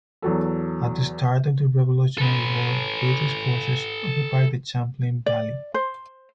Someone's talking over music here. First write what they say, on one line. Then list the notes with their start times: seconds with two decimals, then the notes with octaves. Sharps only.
At the start of the Revolutionary War, British forces occupied the Champlain Valley.
0.22 E2 F#3 A4
2.18 A4 B4
5.26 D5
5.74 C5